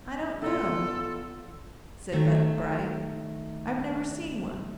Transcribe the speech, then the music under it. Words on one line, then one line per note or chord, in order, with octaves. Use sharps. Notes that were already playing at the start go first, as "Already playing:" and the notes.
"I don't know," said Button-Bright; "I've never seen one."
E2 F4 A4
D#3 F#3 A3